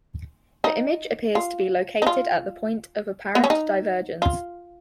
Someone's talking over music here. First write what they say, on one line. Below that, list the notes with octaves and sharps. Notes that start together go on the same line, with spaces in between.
The image appears to be located at the point of apparent divergence.
D#4
F4
D#4
F4
B3
C#4
D#4
F4